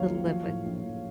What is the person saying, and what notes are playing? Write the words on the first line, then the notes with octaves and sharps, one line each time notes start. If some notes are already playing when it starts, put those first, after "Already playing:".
to live with
Already playing: F#1 C#2 F#2 D#3 C#5 F5
F#3
F3
A2
A#1
A#1